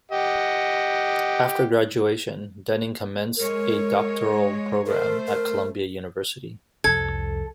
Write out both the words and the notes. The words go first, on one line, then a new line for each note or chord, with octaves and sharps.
After graduation, Dunning commenced a doctoral program at Columbia University.
G4 D#5 F#5
G#3 A#4 C#5
A3 A#4 C5
A#4
C2 F2 A4 G#6